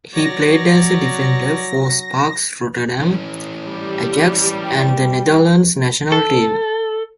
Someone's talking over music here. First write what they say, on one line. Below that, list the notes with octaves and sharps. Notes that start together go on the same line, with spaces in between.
He played as a defender for Sparta Rotterdam, Ajax and the Netherlands national team.
F#3 C#5 D5 A#6
E3 C#4
G3
G5
A4